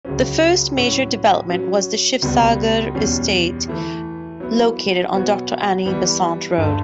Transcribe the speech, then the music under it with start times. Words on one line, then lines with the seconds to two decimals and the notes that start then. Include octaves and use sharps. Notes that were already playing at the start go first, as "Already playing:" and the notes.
The first major development was the Shivsagar Estate located on Doctor Annie Besant Road.
0.05 C#2 C#3 F#3 C#4
0.77 A2 F#3 C#4 F#4
1.50 F#3 C#4 F#4
2.22 C#2 B2 G3 B3
2.95 E2 B2 G3 C#4
3.68 E3 A3 E4
4.40 F#3 B3 E4
5.12 B2 F#3 B3 F#4 C#5
5.85 E3 G3 B3
6.58 G2 D3 A3